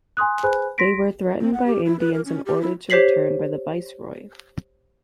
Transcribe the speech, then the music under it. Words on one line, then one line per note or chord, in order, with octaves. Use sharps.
They were threatened by Indians and ordered to return by the viceroy.
G#5 C6 D#6 F#6
G#4 B4 C5 G#5 B5 F#6
C6 A#6 B6 D7
C4
F#5
G4
E4
B4
A#4
C#4
G4
E4
G4 C5 C#5 B6 C7 F#7